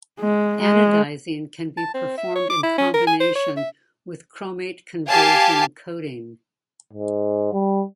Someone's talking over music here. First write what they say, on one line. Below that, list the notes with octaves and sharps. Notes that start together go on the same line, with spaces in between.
Anodizing can be performed in combination with chromate conversion coating.
G#3
G#3
A5
C4
E5
C#5
D6
E4
C#4
A#4
G#5
C5
C#5
E5
G4 F5 G#5 A5
G#2
G3